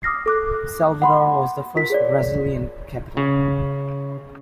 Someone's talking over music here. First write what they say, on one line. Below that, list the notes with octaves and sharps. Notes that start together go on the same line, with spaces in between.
Salvador was the first Brazilian capital.
D6 D#6 F6 A#6 C7
A4 D6 F#6
F#5 B5 C6
F4 A#4 B6
G#4 C#5 D5
C#3